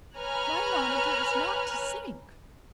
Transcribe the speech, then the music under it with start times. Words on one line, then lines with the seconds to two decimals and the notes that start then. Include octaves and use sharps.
"My monitor is not to sink!"
0.17 B4 C#5 G#5 A#5 F6 F#6